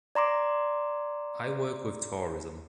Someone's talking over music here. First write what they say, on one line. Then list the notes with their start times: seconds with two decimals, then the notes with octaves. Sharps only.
I work with tourism.
0.15 D5 A#5 C6 D6